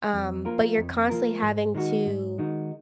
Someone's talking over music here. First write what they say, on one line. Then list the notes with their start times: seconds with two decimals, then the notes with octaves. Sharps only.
Um, but you're constantly having to,
0.13 F2
0.45 F3 A#3 F4 A#4
0.77 F2
1.09 F3 A#3 F4 A#4
1.42 G#2
1.75 D#3 G#3 D#4 F#4
2.06 G#2
2.38 D#3 G#3 D#4 F#4